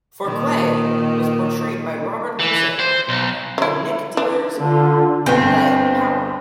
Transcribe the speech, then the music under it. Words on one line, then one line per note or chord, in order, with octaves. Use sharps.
Fouquet was portrayed by Robert Lindsay in Nick Dear's play "Power".
A#2 D#3
E3
C5
B1
F#3 E4
D4
D3 F4
G1 B3 C4 G#5